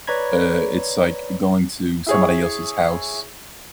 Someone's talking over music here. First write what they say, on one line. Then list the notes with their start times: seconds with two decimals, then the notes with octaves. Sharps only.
Uh, it's like going to somebody else's house-
0.07 B4 C#5 D5 A#5 B5 G#6
2.07 E4 G#4 C#5